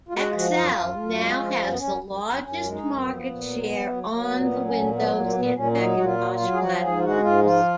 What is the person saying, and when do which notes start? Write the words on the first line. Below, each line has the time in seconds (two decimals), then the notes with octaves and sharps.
Excel now has the largest market share on the Windows and Macintosh platforms.
0.09 F4
0.14 G#3 F#4
0.30 F4
0.34 F3 F#4
0.50 F#4
0.55 F#2 F4
0.76 F#2
0.97 F#2
1.18 G#3
1.39 F3
1.60 F#2 C#4
1.68 B3
1.78 F#2 C#4
2.02 F#2
2.23 F#2
2.43 F#2 C#4
2.64 G#3
2.72 D#4
2.85 F#2
2.99 B3
3.06 F3
3.26 A#2
3.47 F#3
3.68 F#3
3.89 F#3
4.09 F#3 A#3
4.30 A#2
4.38 B3
4.52 F#3
4.65 C#4
4.73 A#2
4.82 A#3
4.93 F#3 B3
5.14 A#2 A#3
5.26 A#3
5.35 A#2 B3
5.55 A#2 C#4
5.72 C#4
5.77 F#3 D#4
5.97 A#2 F#4
6.04 F4
6.19 F#3
6.33 F4
6.40 F#3
6.53 G#4
6.60 F3 F#4
6.81 G#2 G#4
6.98 F4
7.02 G#3 F#4
7.22 G#2 F4
7.44 F3 F4